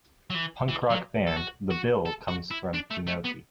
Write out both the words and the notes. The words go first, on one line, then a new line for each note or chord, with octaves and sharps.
Punk rock band The Bill comes from Pionki.
F#3
E3
E3
F#3
A4
F#4
F#4
A4
F#4
E4
D4
A3
A3
B3